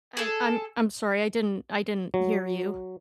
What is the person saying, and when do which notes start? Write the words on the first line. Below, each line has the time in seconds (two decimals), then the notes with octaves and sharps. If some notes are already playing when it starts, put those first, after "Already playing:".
I I'm I'm sorry, I didn't I didn't hear you.
0.17 G#4 A4
2.14 F#3